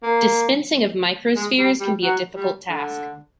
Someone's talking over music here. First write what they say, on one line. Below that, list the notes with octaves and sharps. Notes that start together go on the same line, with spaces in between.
Dispensing of microspheres can be a difficult task.
A#3
G#3
G3
G3
F#3
G3
D3